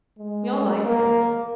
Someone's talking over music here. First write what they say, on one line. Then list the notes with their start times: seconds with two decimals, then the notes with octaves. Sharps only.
We all like her.
0.18 G#3
0.86 A#3